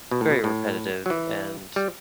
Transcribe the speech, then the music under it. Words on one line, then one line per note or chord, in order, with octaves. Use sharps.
very repetitive and,
B2
A2
B2
A2
F#3
E3
G3